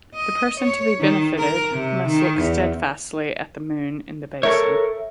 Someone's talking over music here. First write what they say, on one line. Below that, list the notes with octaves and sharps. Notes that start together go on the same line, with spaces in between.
The person to be benefited must look steadfastly at the moon in the basin.
D#5
C#5
D#3
A#4
C3
D#3
E2
A4 A#4 C#5 E5